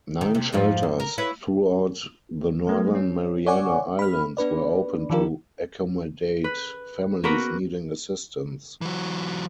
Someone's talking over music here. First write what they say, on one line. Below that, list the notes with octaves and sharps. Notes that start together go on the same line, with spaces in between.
Nine shelters throughout the Northern Mariana Islands were opened to accommodate families needing assistance.
D#3
C3
F2 G#2 F3
F#2
A#4
E4 B4 C#5
F#3 A3 B3
C#4
C#5 D5 F#5 G#5 C#6 D6
B5 F6
B3 D4 B4 D5
D#3 F3 D4 F4 G4 A#4
B4
A#3 B3 F#4 A#4 B4
E3 F#3